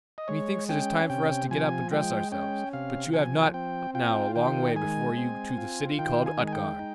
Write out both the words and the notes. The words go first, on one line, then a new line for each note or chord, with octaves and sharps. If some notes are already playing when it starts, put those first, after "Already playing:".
Me thinks it is time for us to get up and dress ourselves; but you have not now a long way before you to the city called Utgard.
D#5
G#3 C#5
C#4 G5
C3 G5
F3 G#5
G#3 G5
C#4 G5
C3 F5
F3 G#5
C4 G5
F4 G5
D#3 G5
G#3 G#5
C4
F4
D#3 G5
G#5
G#3
G#5
G5
D#4